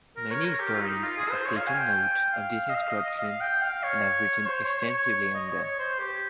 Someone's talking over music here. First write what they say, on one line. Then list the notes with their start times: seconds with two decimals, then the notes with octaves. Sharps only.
Many historians have taken note of these inscriptions and have written extensively on them.
0.16 A#4
0.31 C#5
0.45 A#4
0.60 G4
0.74 F4
0.81 D#4
1.03 F4
1.17 G#4
1.31 C5
1.46 C#5
1.57 F5
1.67 G#5
1.78 G5
2.33 F5
2.70 D#5
2.75 F5
2.90 D#5
3.04 D#5
3.19 F5
3.41 G5
3.62 F5
3.83 C#5
4.40 C#5
4.48 C5
4.63 C#5
4.78 C#5
5.35 D#5
5.49 C#5
5.64 C#5
5.79 C5
6.00 G4